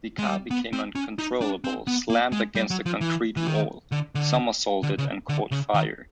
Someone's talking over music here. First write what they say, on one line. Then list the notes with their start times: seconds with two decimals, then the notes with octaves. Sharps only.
The car became uncontrollable, slammed against a concrete wall, somersaulted and caught fire.
0.19 G#3
0.27 G3
0.51 B3
0.73 C4
0.95 C#4
1.19 D#4
1.42 D4
1.64 C4
1.87 B3
2.10 A#3
2.32 G#3
2.55 G3
2.70 F#3
2.86 F3
3.01 E3
3.37 E3
3.47 D#3
3.92 D3
4.15 D3
4.83 D3
4.98 C#3
5.29 D3
5.51 C#3
5.74 D#3